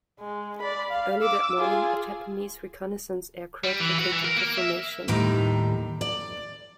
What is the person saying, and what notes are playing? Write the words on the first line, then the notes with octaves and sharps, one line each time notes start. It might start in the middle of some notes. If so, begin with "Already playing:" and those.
Early that morning, a Japanese reconnaissance aircraft located the formation.
G#3
D5 B5
F5
D6 E6
F4 G#4
G3
E3
F#4
E3
A#4
A#3
E5
D#2 A2 D#3 G3 A#5
D5